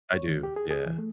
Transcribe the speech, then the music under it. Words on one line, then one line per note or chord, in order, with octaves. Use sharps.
I do, yeah.
C#5
D#2
G4
G#4
G#4
E3
A3